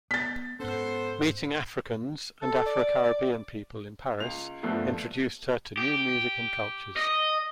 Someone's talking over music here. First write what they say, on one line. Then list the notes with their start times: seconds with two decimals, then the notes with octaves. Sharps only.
Meeting Africans and Afro-Caribbean people in Paris introduced her to new music and cultures.
0.11 B3 A6 B6
0.60 G#2 B3 C#4 A4 C5
2.42 A4
2.66 D5
4.20 C#2 F7
4.63 G2 A#2 F3 A3 B3
5.78 G4
6.96 D#5